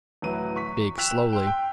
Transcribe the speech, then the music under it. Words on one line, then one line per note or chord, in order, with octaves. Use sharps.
Bake slowly.
D1 E3 F#3 B4 D#7
C#6 B6
G5 E6 F#6 B6 E7 F7
G5 C6 E6
G5